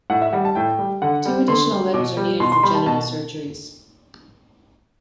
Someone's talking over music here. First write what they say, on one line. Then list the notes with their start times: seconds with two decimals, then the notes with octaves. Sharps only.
Two additional letters are needed for genital surgeries.
0.10 A2 F#5
0.22 E5
0.33 G3 F#5
0.45 A5
0.55 A2 G5
0.79 G3
1.02 D3 F#5
1.25 G3
1.48 D3 C6
1.71 G3
1.94 B2 D6
2.17 G3
2.40 B2 C6
2.52 C6
2.63 G3 B5
2.75 A5
2.86 B2 A5